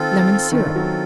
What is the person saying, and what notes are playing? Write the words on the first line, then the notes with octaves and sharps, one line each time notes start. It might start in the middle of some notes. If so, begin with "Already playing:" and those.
Lemon Syrup.
Already playing: D#3 C4 F4 A4
D#3 C4 F4 A4
F#3